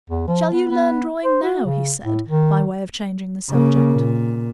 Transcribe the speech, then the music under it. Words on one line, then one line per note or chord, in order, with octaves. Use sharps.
"Shall you learn drawing now?" he said, by way of changing the subject.
E2
F3
B3
B3
C5
F#4
C#3
A2
D#3
C#3 A#3
A#2